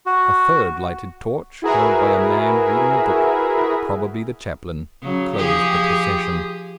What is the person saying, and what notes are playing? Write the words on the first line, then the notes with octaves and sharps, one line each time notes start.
A third lighted torch, held by a man reading a book, probably the chaplain, closed the procession.
F#4
E4 F#4 G#4 A#4 B4 E5
C#3 F#3
F3 G4 G#4